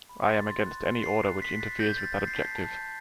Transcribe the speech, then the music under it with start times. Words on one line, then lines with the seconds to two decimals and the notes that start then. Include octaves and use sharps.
I am against any order which interferes with that objective.
0.09 B5
0.28 C6 A6
0.47 C6
0.66 F#6
0.85 C6
1.03 C6 C7
1.23 F#6
1.42 F#6 B6
1.60 F#6 A6
1.80 G6
1.98 G6 A6
2.17 G6 A6
2.27 C7
2.36 A5 B6
2.45 C7
2.55 A5
2.75 G6